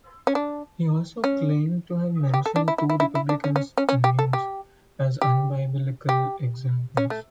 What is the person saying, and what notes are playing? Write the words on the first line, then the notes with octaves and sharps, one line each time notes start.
He also claimed to have "mentioned two Republicans' names" as unbiblical examples.
C#4
D4
C#4
G4
A4
D4
E4
E4
E4
E4
E4
D4
C#4
C#4
C#4
C#4
G4
A4
G4
G4
G4
C#4
A3